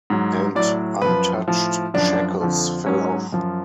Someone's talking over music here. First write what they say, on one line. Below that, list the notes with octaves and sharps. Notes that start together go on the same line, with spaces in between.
And untouched shackles fell off.
G#2 F#3
A2 F#3 D5
F#2 F3 B4
A2 F3
F#2 F3 D4
F2 D3 F3
G#2 F#3 C#4
F#2 F3